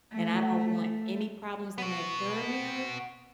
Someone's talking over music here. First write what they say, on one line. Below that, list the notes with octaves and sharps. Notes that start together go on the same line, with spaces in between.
and I don't want any problems in that caramel.
A3
B3 F#4